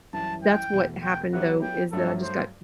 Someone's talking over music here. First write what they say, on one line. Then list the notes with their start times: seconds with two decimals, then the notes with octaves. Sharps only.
that's what happened though, is that I just got
0.13 F#2 E3 G3 A5
0.43 G5
0.73 E2 B2 A3
1.03 G5
1.33 F#3 B3 E4 G4 F#5
1.63 G5
1.92 G2 F#3 A3 A4
2.23 C5